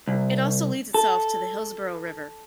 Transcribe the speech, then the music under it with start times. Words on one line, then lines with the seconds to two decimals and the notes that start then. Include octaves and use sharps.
It also leads itself to the Hillsborough River.
0.08 C2
0.94 A4